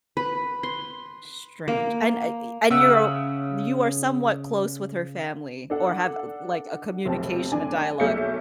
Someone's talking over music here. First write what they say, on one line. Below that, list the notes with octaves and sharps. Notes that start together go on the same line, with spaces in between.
strange, and, I eh, and you're o you are somewhat close with her family or have, like, a communication, a dialogue
B4
C6
A#3
C#3 E5 F#5 E6
D4 A4 F#5
F1 B1 C4 A5
D3 D4 D5 G#5
B1 A3 C#5 E5 G6 C#7